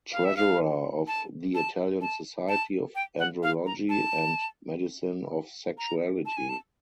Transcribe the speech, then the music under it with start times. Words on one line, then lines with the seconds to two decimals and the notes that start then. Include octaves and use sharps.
Treasurer of the Italian Society of Andrology and Medicine of Sexuality.
0.12 F5
0.25 E5
0.37 F5
1.07 A5
1.55 A5
2.01 A5
2.48 A5
2.95 G5
3.19 F#5
3.43 F5
3.66 A#5
3.89 A5
5.78 A#5
6.26 A5
6.37 G#5
6.49 A5